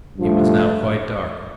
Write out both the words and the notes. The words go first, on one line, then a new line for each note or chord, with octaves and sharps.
It was now quite dark.
G2 F3 A3